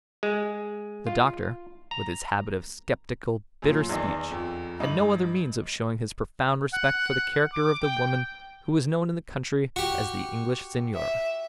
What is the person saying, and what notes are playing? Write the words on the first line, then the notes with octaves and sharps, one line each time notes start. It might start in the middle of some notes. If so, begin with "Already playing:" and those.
The doctor, with his habit of sceptical, bitter speech, had no other means of showing his profound respect for the character of the woman who was known in the country as the English Senora.
G#3
F4
A#5
F#2 A#2
E2 D#3 D5 D#5
F2
G2 D#4 D6 F#7
F#5
D6
G5
F#4 G4
E5